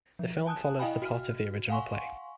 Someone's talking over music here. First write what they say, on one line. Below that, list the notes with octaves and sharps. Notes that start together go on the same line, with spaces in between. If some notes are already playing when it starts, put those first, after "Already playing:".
The film follows the plot of the original play.
F3
G#5 A5 D#6 F#6
E4 D#5 F5 G5 G#5 B5
F#4 F6
F5 F#5 G#5 C6 C#6